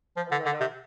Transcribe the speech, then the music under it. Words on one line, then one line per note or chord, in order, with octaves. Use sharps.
a little.
F3
D3
D3
C3